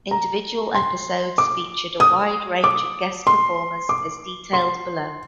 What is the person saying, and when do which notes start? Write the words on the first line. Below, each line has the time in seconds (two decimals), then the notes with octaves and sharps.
Individual episodes featured a wide range of guest performers, as detailed below.
0.11 A#5
0.75 C6
1.38 D6
2.00 D#6
2.64 D6
3.27 C6
3.89 D6
4.53 C6